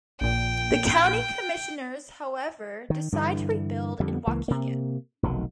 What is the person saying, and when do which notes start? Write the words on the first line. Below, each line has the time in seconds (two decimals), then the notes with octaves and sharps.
The county commissioners, however, decided to rebuild in Waukegan.
0.21 A#1 A#2 G5
2.90 D#3
3.12 G2 D3 E3
4.00 F2 D3 G3
4.27 C#2 E3 A#3
4.48 C3 A#3
5.23 F1 B1 D#3 F#3